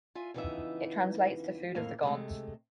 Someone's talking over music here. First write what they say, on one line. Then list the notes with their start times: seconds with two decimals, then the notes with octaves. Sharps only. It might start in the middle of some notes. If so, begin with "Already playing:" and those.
It translates to food of the gods.
0.15 F4 E5 G#5
0.34 F2 C#3 E3 B3 D#4 E5
1.75 F2 A2 A#3 F5
2.03 C3 G#3 A3